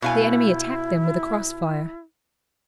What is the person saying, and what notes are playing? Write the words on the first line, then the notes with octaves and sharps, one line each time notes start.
The enemy attacked them with a cross-fire.
B2 E4 F5 G#5